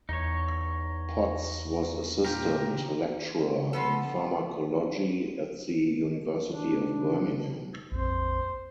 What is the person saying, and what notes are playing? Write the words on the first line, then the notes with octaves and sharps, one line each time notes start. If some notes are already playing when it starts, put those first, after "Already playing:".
Potts was assistant lecturer in pharmacology at the University of Birmingham.
E2 D#4 C#5
A#2 G4 A#4
F3 B3 A4
D4
A#1 F2 C4 C5